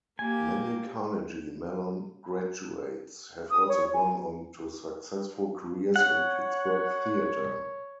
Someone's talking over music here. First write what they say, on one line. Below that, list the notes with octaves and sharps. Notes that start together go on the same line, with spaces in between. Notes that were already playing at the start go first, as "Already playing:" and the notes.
Many Carnegie Mellon graduates have also gone on to successful careers in Pittsburgh theatre.
A#3 G4 G#5
D#6
C#5
G#5
C#5 F#5